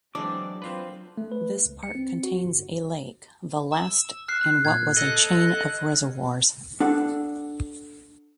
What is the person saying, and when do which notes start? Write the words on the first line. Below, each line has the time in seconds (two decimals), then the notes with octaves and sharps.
This park contains a lake, the last in what was a chain of reservoirs.
0.15 E3 F#3 G#3 C4 D4 D6
0.62 C4 F4 B4
1.17 A3
1.32 B4
1.65 C#2
1.83 C#7
1.95 C4
2.23 F#4
2.45 G1
3.72 E6
4.28 F6 F#6 C7
4.65 A#2 F6 G#6
4.96 A4 D#5 F#6
6.80 D4 A4 F#5